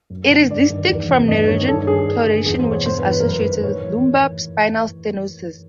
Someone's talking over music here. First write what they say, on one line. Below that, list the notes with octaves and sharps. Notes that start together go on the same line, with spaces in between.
It is distinct from neurogenic claudication, which is associated with lumbar spinal stenosis.
F#2
D3
G2 D5
D#3
E2
C3 E3
G2 D#5
D#3 C#5
G2 A4
D#3 G#4
G2
D3
E2 G#4
C5
B2
C#5
G2 C5
B4
E3
B4
A#4
F#2 B4
D#3
A2 C#5
E3